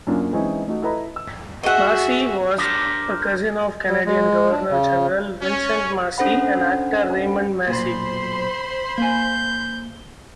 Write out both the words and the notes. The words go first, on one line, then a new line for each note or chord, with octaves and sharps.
Massey was a cousin of Canadian Governor General Vincent Massey and actor Raymond Massey.
F#2 A#3 C#4 D4 F4
E3 G#3 C4 C#4 D#4 E4
A3 D#4 F#4
E4 A4 B4 D#5 A#5 B5
E6
F#4 G#4 D#5 E5 F#5
D4 G4 A#4 C5
G3
G#3
D4
C#3
C#4
C#4 D4 A4 C5 F#5 B5
B1 A#2 C5 B5 C6
A#3 G#5 G6